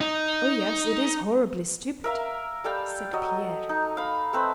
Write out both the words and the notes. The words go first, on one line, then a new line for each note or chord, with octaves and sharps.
"Oh yes, it is horribly stupid," said Pierre.
D#4
A#4 E5 F5
G3 A4 F5 G5
F#3 D#5
D#4
F5 B5
A3 C4 B4 C5